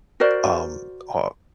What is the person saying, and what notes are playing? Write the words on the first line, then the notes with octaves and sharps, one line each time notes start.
um, uh,
F#4 A#4 C5 D5